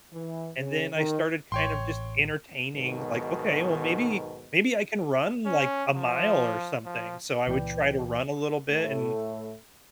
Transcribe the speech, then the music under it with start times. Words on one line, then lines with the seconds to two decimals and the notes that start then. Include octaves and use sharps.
And then I started kind of just entertaining, like, "Okay, well, maybe maybe I can run, like, a mile or something." So, I would try to run a little bit, and
0.12 E3
0.57 C#3
0.94 D#3
1.52 A1 C#5 G5 C6
2.74 B1 G#2 B2 D#3
5.46 C#4
5.95 F3
6.86 F3
7.47 C#2 A#2 E3 B4 D5 G5
8.69 A2 A3